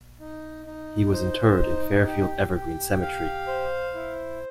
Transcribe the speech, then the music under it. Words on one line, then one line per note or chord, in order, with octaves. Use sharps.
He was interred in Fairfield-Evergreen Cemetery.
D#4
D#4
C5
D#4
G4
G4
F5
C5
E4